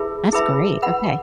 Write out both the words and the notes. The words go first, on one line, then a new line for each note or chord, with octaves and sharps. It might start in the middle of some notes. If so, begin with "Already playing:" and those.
That's great, okay.
Already playing: E4 G#4 B4 E5 B5
E4 G#4 B4 E5 B5
B4 F#5 B5